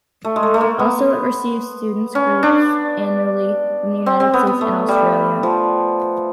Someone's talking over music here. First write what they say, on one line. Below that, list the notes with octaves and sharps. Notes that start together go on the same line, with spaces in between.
Also, it receives students groups annually from the United States and Australia.
A3
G#3
A3
A3
A#3
B3
C#4
D4
C4
C4
B3
B3
A3
G3
F3